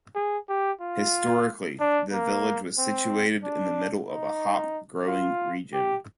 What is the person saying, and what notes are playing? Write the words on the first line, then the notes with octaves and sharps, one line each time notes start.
Historically, the village was situated in the middle of a hop-growing region.
G#4
G4
F4
D4
A#3
C4
D4
D#4
F4
G4